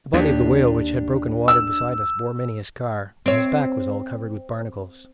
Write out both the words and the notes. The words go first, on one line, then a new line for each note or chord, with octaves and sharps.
The body of the whale which had broken water beside us bore many a scar, and his back was all covered with barnacles.
D#2 D4 G4
E6
C4 C#5